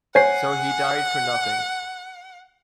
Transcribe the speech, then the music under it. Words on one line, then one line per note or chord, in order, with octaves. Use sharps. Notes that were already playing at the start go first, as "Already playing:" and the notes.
So he died for nothing.
C5 C#5 F#5 G#5 C7